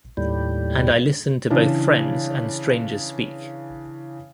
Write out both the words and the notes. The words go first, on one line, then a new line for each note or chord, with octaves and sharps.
And I listen to both friends and strangers speak.
D#2 A2 G3
C#3 E3 D4